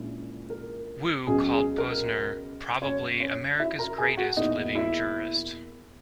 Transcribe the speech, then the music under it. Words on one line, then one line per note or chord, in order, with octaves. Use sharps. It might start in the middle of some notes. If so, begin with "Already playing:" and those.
Wu called Posner probably America's greatest living jurist.
Already playing: A#1 A#2 G#3 C#4 E4
A#4
C#2 B2 F#3 C#4 G#4
G#4
A#4
F#1 F#2 C#3 C#4 C#5
C#4 C#5
E4 E5
A#4 A#5
G#4 G#5
F#4 F#5
E2 B2 A#3 D#4 E4 D#5
E4 E5